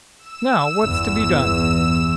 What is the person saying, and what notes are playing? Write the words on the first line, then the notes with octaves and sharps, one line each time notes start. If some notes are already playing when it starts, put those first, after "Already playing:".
"Now, what's to be done?"
E6 E7
G1 E2